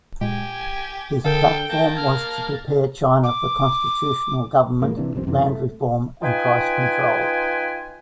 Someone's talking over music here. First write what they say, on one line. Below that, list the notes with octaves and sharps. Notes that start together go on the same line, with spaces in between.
His platform was to prepare China for constitutional government, land reform and price control.
A#2 G#3 G4 G#5
D3 A4 A#4 F5 G5
A#3 A5
E6 F6 G#6
D6
A#2 G#3 A#3
C3 E3 D4
E1 B1 F#2 C4
F#2 C3 E3
A3
D#4 F4 B4 G5 G#5